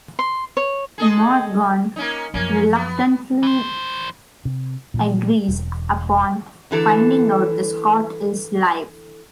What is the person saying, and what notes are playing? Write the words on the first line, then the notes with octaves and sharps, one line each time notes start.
Morgan reluctantly agrees upon finding out that Scott is alive.
C6
C#5
G#4 A4 D#5
A#3 C#4 D#4
F#2 F3 A#3 C#4
B3
E3 C5
C3
A#2 E3 F3
E1
D3 E3 A4